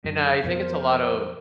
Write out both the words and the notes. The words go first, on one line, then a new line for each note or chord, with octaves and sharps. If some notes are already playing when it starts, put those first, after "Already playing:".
and I think it's a lot of
F#2 D3
F2 B2 A#4 C5